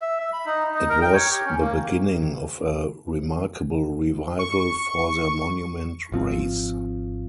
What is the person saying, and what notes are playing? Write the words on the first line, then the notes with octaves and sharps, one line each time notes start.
It was the beginning of a remarkable revival for the Monument race.
E5
E5
B5
D#4
D#4
A#4
G5
C#5
G4
C#4
A#3
C#6
G#1 F3 C4